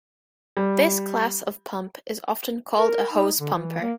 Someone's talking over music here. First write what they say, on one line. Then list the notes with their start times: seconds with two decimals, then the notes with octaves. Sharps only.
This class of pump is often called a 'hose pumper'.
0.57 G3
2.78 A#4
3.11 D#4
3.40 D3
3.54 E3
3.81 A#3